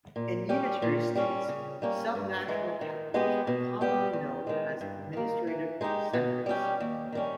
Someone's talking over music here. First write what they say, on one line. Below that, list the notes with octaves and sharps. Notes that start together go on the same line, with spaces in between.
In unitary states, subnational capitals are commonly known as "administrative centres".
A#2
G3 C#4 G4
A#2
G3 C#4
C#3
G3 A#3 C#4
G2
E3 G#3
D#3
G#3 B3 G4
B2
G3 B3 G4
E2
D#3 G#3
G2
D#3 A#3
E3
G#3 D#4 G4
B2
G3 C#4 G4
D#2
D#3 G3 C#4